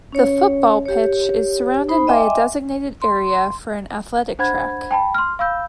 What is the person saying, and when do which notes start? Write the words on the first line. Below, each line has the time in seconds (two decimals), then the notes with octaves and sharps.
The football pitch is surrounded by a designated area for an athletic track.
0.12 C#4 C#5
0.86 G4 C#5
1.89 D#4 C5 B5
2.07 D#5 E5 G5 G#5 C6 D6
3.02 C6
4.39 D4 C5 F#5 B5 G#6
4.91 G5 A5 B5
5.14 C6 F6
5.39 F5 B5 E6 G6